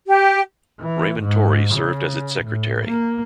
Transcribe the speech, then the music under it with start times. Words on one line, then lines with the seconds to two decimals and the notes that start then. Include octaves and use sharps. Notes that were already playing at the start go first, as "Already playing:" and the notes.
Raymond Torrey served as its Secretary.
0.07 G4
0.80 E3
1.20 G#2
1.73 C#3
2.43 A2
2.86 A#3